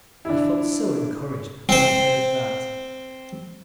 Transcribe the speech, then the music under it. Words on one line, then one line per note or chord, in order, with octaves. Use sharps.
I felt so encouraged when I heard that.
D4 E4
C4 C5